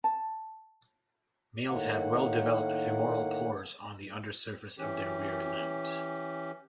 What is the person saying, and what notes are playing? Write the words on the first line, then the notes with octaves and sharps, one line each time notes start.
Males have well-developed femoral pores on the undersurface of their rear limbs.
A5
A2 D#3 A#3 F#5
E3 C#4 G4